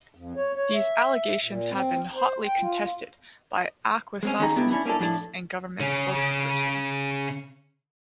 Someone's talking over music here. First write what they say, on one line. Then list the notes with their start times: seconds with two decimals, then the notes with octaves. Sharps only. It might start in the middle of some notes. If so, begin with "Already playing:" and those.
These allegations have been hotly contested by Akwesasne police and government spokespersons.
0.15 F2
0.36 C#5
0.55 C#5
0.74 E5
1.44 A#2
1.70 C4
2.15 C5
2.45 G5
2.60 F4
4.23 G#3 C4 C#4
4.39 D#2 C#4 D#4 G#4 A#5
4.56 C#2 B3 D4 E4 G4 A4
4.71 C#4 D4 E4
4.85 A#3 C#4 D4 E4 A4
4.99 F2 A2 D4 E4 A4
5.80 C#3 C#4